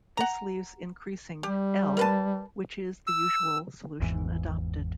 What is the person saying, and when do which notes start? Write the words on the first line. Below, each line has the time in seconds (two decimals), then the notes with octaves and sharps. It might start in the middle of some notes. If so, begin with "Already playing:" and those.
This leaves increasing "L" which is the usual solution adopted.
0.17 F#5 A#5
1.43 G3 G4
1.97 A#4 B4 A5
3.07 E6
4.00 G#1 E2 G#2 E3